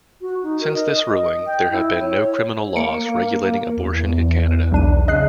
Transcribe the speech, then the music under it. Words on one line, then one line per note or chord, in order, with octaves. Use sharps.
Since this ruling, there have been no criminal laws regulating abortion in Canada.
F#4
D#4
A#4
D#5
D#5
D#5
G5
E4
C#5
A#3 C#7 D7
E2
B1 D4 D#7
C#3 D#5 F#6 C7